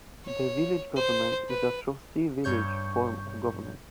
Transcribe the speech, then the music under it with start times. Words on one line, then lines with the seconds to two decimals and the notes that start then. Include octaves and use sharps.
The village government is a Trustee-Village form of government.
0.25 C#5
0.96 C5
1.49 B4
2.44 G2 C#5 G6 C#7